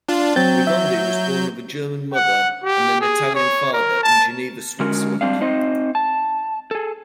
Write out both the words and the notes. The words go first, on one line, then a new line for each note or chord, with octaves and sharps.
Regondi was born of a German mother and an Italian father in Geneva, Switzerland.
D4 F4
F#3 C4 G6 A6
E5
F#5
G4
G#4
C#5
A#4
A5
D3 G#3 C#4 F#4 A#4
G3 C4 D4 F5
C4 D#4 C5 D#5
A5
G#4 A4